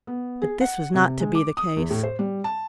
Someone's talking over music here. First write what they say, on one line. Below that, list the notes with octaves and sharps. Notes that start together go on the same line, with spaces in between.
But this was not to be the case.
B3
G#4
F#5
C3
G#3
D6
D#6
E2
A2
C5
G3
A5